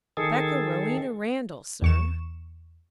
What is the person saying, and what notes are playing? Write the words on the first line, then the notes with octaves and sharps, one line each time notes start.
"Rebecca Rowena Randall, sir."
D#3 G#4 A4
E2 C#6 E7